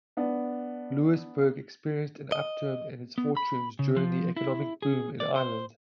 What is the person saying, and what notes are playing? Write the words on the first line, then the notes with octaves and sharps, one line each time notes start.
Louisburgh experienced an upturn in its fortunes during the economic boom in Ireland.
B3 D4
D#5
B3
B5
C#3
F3
E4
G#4
D5
C5